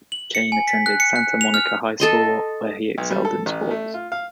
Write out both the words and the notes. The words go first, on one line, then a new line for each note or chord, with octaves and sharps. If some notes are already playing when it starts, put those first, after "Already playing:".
Cain attended Santa Monica High School, where he excelled in sports.
F#7
C#7
G#5
B6
F#6
C#7
F#6
F7
F6
A4 D#5 C6
B1
G3
A4
A1
A3
F4
F5